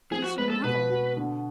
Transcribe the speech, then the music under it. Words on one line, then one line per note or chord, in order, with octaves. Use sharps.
"It is your mother!"
F3 G#4
F#4
G#3 B4
A4
B2 B4
F#4
D3